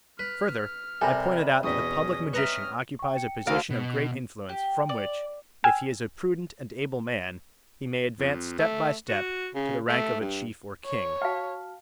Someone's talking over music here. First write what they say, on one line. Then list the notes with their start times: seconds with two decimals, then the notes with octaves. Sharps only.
Further, I pointed out that the public magician occupies a position of great influence, from which, if he is a prudent and able man, he may advance step by step to the rank of a chief or king.
0.19 B4 F6
1.01 C3 G3 A4 A#4 G#5 B5
1.63 E2 B2 C#4 D#6 A#6
2.33 B4 D#5 E5 A#5 C#6 F6
2.99 G5 C#6
3.14 G5 C#7
3.47 D2 C5 F5 A#6 D7
3.70 B2
4.49 G4
4.89 D5
5.64 G5 G#5 E6 F6 G#6
8.19 F2
8.59 A3
9.08 F#4
9.55 C#3
9.88 A3
10.20 G2
10.86 C#5
11.22 F#4 F5 G5 A5 F6